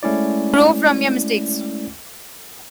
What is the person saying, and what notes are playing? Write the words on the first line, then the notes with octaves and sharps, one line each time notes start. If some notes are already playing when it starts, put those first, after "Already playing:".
You grow from your mistakes.
G#3 A3 C#4 E4 D5